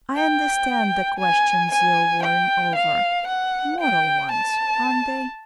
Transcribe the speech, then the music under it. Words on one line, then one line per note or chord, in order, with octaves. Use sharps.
I understand the questions you are worrying over--moral ones, aren't they?
G5
G#5
G#5
G5
F5
F#5
G5
A5